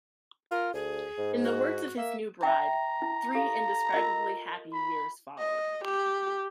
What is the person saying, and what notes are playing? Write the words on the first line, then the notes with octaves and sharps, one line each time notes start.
In the words of his new bride "three indescribably happy years" followed.
F4 A#4
D2 G#4
G#2
F#4
A#3 E5
E5 G5 A#5
E4
G4 A4 F5
F4 A#4 D#5
B5
D#5
G4